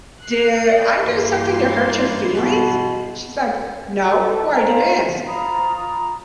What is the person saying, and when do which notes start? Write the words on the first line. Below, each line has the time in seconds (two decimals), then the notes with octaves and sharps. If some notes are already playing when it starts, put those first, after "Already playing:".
"Did I do something to hurt your feelings?" She's like, "No, why do you ask?"
0.21 F#6 C7
0.69 D5 D#5 G5
1.02 G2 E3 A#3 C6
2.35 B2 B4
4.02 A4
4.51 C5 F5 A#5
5.26 F4 A#5 B5 D#6